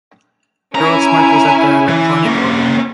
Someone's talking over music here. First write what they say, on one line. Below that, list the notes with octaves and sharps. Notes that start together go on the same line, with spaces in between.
Harold Smart was at the electronic organ.
C#4 E4 G#5 A#5
E3
A#3 C#4